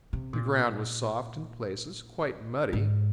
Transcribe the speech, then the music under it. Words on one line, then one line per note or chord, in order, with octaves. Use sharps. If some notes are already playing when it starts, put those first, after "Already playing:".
The ground was soft in places, quite muddy.
C3
A#2
G#2